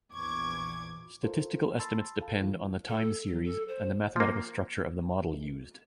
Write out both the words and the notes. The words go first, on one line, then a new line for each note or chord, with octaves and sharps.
Statistical estimates depend on the time-series and the mathematical structure of the model used.
A#1 E2 C#6 D6 G#6
F4 A4 A#4 C5
A5 B5 C6 E6 A6
A4 F5 A5
E3 F3 G#3 E4 F4
A4
F#3
A4
C5
F3 A#3